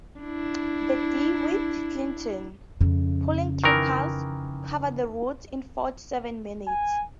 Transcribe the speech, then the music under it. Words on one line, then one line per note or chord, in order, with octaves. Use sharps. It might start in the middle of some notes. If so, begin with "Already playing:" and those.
The DeWitt Clinton, pulling three cars, covered the route in forty-seven minutes.
D4 E4
F2 C#3
D#3 E3 A#4
G#5